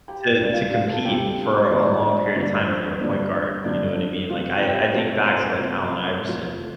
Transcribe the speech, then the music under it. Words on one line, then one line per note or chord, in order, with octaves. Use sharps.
to to compete for a long period of time when you're a point guard, you know what I mean? Like, I I think back to, like, Allen Iverson,
G4 G5
D2 C3 G3 C4 F4 D5
F5
D5
F4 F5
A4 A5
D2 C3 G3 C4 F4 G4 G5
C5
G2 D3 G3 C4 F4 D5
D5
G2 D3 G3 C4 F4 D5
C5
G2 D3 G3 C4 F4 D5
G2 D3 G3 C4 F4 D5
C3 A3 C4 F4 F5
G4 G5
C3 A3 C4 F4 A4 A5
C5 C6
C3 A3 C4 F4
C3 A3 C4 F4